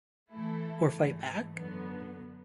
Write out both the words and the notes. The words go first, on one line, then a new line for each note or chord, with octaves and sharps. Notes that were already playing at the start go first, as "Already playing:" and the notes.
Or fight back?
E3 A3 E4 A4
G#2 E3 A3
F#2 D3 F#3 B3